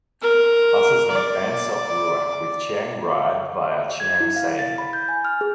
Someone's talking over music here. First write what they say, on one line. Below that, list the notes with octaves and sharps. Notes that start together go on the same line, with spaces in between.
Buses link Ban Sop Ruak with Chiang Rai via Chiang Saen.
A#4
D5
G#6
E4
F5
A6
B5
G6
G#5
F6
G#4